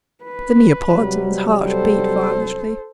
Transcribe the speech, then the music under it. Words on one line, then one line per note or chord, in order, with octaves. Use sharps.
The Neapolitan's heart beat violently.
B4
C3 F#3 G3
A4 C5